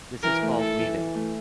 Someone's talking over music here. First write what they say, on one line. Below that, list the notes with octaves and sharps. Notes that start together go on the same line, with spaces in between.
This is called Weaving.
E3 A#4
A3
E4 A4
E3
E3
A3